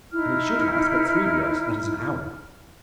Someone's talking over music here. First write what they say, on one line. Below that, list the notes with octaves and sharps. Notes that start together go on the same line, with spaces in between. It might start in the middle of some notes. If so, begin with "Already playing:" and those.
And it should last but three reels, that is, an hour.
D#4 E4 F6